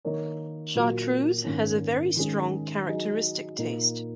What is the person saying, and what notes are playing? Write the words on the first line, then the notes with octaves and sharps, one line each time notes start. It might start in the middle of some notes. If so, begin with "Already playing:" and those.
Chartreuse has a very strong characteristic taste.
D#3 A#3 D#4 A#4 C#5
A#2 F#3 A#3 F#4
G#2 D#3 A#3 C#4
D#3 G#3 C#4 G#4
F#3 D#4 G#4 D#5
A#2 A#3 D#4